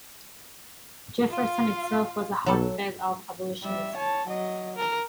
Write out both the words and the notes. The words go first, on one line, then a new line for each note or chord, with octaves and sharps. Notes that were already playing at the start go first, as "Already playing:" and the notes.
Jefferson itself was a hotbed of abolitionism.
F4 F5
B1 F#3 A4
G3 E5
C#5 A5
F#3 D#5
A#4